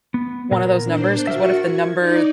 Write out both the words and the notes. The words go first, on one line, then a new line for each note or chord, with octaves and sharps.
one of those numbers, 'cause what if the number
B3
A#2 B3 A#4
D4 C5
F#4 A#4 E5 C#6 A6
G#6
D#4 D5